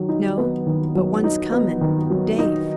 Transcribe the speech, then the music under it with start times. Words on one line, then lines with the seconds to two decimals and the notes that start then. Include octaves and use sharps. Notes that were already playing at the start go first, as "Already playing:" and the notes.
"No, but one's comin'--Dave."
Already playing: D#3 F#3
0.09 D#4
0.38 B3
0.67 D#3
0.95 F#3
1.24 D#4
1.52 B3
1.81 D#3
2.10 F#3
2.39 D#4